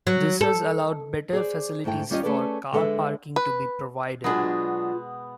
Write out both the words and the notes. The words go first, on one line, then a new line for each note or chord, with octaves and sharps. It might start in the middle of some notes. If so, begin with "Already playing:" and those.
This has allowed better facilities for car parking to be provided.
F#3
A4
G#4 C5 D5
F2 G#2 A3 E4 G5
D#2 G3 C#4 F4 C#5 D#5
A3 C#4 G#4 A4 B4 D5
D3 G#3 A4 B4 E5
B4
B2 F#3 G#3 B3 D4 F4 G#4